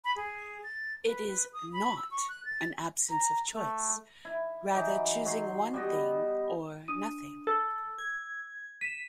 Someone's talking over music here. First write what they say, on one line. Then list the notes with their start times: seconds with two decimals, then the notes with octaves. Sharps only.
It is "not" an absence of choice, rather choosing one thing or nothing.
0.04 B5
0.16 G#4
0.63 A6
1.05 B4
1.27 B4
1.53 D#6
1.73 B5
1.96 E6
2.11 C#6
2.29 F#6
2.45 A6
3.10 A#5
3.55 A3
4.25 E4
4.74 E3 F#3 D#4 D6
5.25 F#3 C6
5.73 G3 B3 D#5
6.88 D4 D#6 D#7
7.47 A4 E6
7.98 G#6
8.81 B6 D#7 E7